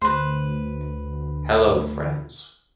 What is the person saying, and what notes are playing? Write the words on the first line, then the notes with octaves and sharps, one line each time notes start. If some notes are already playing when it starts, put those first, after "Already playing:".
Hello friends.
D2 B4 C5